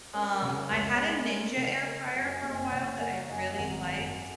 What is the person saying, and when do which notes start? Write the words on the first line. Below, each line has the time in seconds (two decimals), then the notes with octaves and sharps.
Um, I had a Ninja air fryer for a while that I really liked.
0.14 C#4 A#4
0.23 C#5
0.32 A#4
0.41 C#3 C#5
0.50 A#4
0.59 C#5
0.69 C#2 A#4
0.77 C#5
0.87 A#4
0.96 G#3 C#5
1.05 A#4
1.15 C#5
1.23 A#4
1.29 C#4 C#5
1.42 A#4
1.51 C#5
1.57 C#3 A#4
1.86 A#3 A#4 D#5
2.07 C#5 F#5
2.15 F#2
2.29 D#5 G#5
2.43 F#1
2.51 D#5 G#5
2.72 C#3 C#5 F#5
2.97 G#5
3.01 A#3 C#5 F#5
3.21 F#5
3.29 F#2 D#5 G#5
3.52 G#5
3.58 G#1 F#5 A#5
3.87 F#2